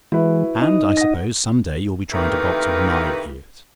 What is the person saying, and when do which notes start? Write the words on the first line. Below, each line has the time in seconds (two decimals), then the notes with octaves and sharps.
And I suppose, some day, you'll be trying to box MY ears?
0.12 E3 G#3 E4 F#4 B4
0.62 D#4 D#5
0.97 F#5 A#6
2.12 C3 D#3 E3 A3 A#3 B4